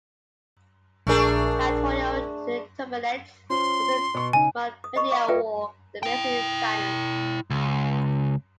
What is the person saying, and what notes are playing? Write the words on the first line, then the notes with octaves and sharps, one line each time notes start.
Lateral to the turbinates is the medial wall of the maxillary sinus.
A#1 A3 D4 G#4 A#4
C#4 F4 C5 C6
B2 C#6
C#3 D#4 G#5
D#6
D#5 B5 C#6 D#6
F5 C#6 D6
F4 A4 B4 D5 E5 G5
E4 G5
C#2